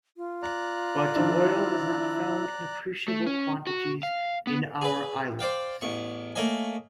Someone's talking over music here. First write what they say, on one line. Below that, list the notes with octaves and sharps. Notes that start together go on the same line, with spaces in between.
But oil was not found in appreciable quantities in our islands.
F4
D5 A#5 F#6
D#3 F3 D4 E4
A3
C#4
F#4
F5
B3
G#4 B4
C5 D5 F5 G5
A1 E2 C#6
A3 A#3 C#5 D#5 G#5